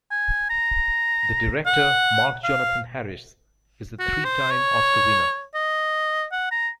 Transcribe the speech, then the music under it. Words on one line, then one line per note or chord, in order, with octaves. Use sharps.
The director, Mark Jonathan Harris, is a three-time Oscar winner.
G#5
A#5
F#5
F5
F#4
C5
C#5
D#5
F#5
A#5